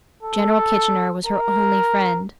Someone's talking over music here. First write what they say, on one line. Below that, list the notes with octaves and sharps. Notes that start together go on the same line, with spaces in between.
General Kitchener was her only friend.
A4
A#4